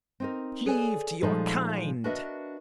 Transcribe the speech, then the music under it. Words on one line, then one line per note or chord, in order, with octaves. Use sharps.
Cleave to your kind.
C4 D#4 A#4
G#4 A4 B4 C#5 D5 G#5
A#2 F3 G3 G#3 D#4 A4
D4 F#4 A#4 B4 D#5 E5